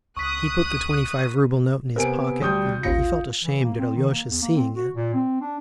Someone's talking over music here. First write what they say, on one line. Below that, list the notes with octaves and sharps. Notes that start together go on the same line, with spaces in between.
He put the twenty-five rouble note in his pocket and he felt ashamed at Alyosha's seeing it.
C#2 C#6 D#6 F#6 B6
C3 B3 A#4 G#5 D7
D2 G3 D#6 G6
A1 D#2 F4 A#6 C#7
E3
A#3
C4
D#3
A#3
E2
A#3
C4
F#4
A#2
C4
D4